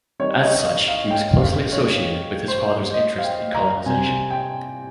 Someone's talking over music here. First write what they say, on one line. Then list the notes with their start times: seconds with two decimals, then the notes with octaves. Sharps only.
As such, he was closely associated with his father's interest in colonisation.
0.19 D#3 G3 C4 C#5
0.42 D#5
0.58 D#5
0.65 F5
0.88 F5
1.11 G5
1.42 F5
1.72 C#5
2.48 C5
2.94 D#5
3.18 F5
3.24 G5
3.55 A#5
3.86 C3 G3 C4 G#5
4.31 G5